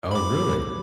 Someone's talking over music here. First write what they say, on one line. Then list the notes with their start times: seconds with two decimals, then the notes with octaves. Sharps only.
Oh, really?
0.11 B5 D6